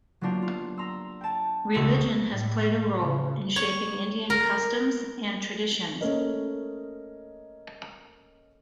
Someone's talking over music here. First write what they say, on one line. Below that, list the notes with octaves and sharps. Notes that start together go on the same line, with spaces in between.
Religion has played a role in shaping Indian customs and traditions.
F#3 A#3 B3 D4 F4 G4
F4
A#5 C6 E6
G5 A5
E1 C#2 F#4 C6 E6
A2
C#3
C#5
A#4
A3 A#3 C#4 A#4 D#5